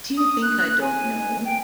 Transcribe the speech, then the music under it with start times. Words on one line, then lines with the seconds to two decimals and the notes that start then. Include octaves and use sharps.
Do you think I don't know?
0.17 D#6
0.42 F#6
0.62 F#6
0.81 G#5
1.45 G5